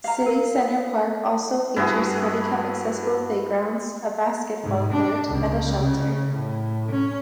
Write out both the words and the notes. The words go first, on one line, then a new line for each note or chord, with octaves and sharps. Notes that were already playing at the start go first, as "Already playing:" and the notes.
City Center Park also features handicap accessible playgrounds, a basketball court, and a shelter.
F5 A#5
A#4
G2 E4 F#4 G#4
G#2
D4
C#2
C#3
A2
C#4